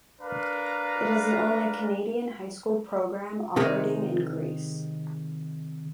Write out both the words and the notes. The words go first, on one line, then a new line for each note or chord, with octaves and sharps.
It is the only Canadian high school program operating in Greece.
D4 A#4 B4 F5 A#5
C3 D#3 G#3 D#4